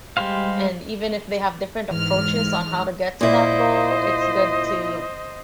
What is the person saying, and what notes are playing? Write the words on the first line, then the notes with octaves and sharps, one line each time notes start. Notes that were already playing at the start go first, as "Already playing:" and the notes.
and even if they have different approaches on how to get to that goal, it's good to
G3 G#3 G4 C5 F5
G#2 E3 F6
A#2 E4 C5 D#5